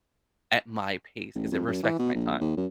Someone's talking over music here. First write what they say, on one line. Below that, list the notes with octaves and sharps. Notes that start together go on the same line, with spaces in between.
at my pace, 'cause it respects my time.
A1
F2
F#2
E3
B2
A#1
D#2
F#2